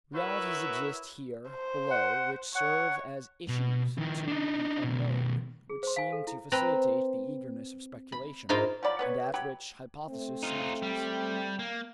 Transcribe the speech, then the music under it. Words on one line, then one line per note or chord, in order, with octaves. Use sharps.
Realities exist here below which serve as issues to the unknown, which seem to facilitate the egress of speculation, and at which hypothesis snatches.
E4 F#4 A#4 B4 C#5 E5
C5
F#5
C#5 F#5
B2
D#3 E4
D4 D#4
B2 D#3
G#4
C5 C6
F5 G#5
A4
E4
C4 B4 A#5 B5
B5
G#2 F4 A#4 C5 B5
F3 F#3 D5 B5
B3 B4 C#5
F#3 G4 B5
A3 C4
D#4 F4
G3
A#3